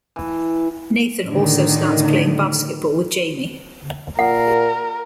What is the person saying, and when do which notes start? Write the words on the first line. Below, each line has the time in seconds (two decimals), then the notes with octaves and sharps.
Nathan also starts playing basketball with Jamie.
0.16 E3
1.25 A2 D3 D#3
4.19 A#2 A#4 F#5